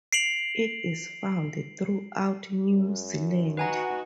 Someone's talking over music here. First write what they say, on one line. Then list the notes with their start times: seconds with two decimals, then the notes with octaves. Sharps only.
It is found throughout New Zealand.
0.13 C7 D7 F7 F#7
2.70 F#2
3.57 D#4 F#4 B4 F#5 G#5 A#5